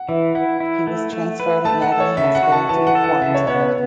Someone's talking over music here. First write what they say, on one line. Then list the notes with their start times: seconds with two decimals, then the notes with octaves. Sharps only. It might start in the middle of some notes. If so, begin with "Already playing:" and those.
He was transferred at Nadi hospital to be quarantined.
Already playing: F#5
0.09 E3 E5
0.35 E4 F#5
0.60 E4
0.87 A3
1.13 A3
1.40 B4
1.65 A3 A5
1.82 F#5
1.92 A4
2.00 C#5
2.17 C#3 E5
2.35 F#5
2.43 F#4
2.52 A5
2.69 E3 A5
2.87 F#5
2.95 A4
3.04 F#5
3.22 C#3 E5
3.34 C#5
3.47 B3 C#5
3.61 C#5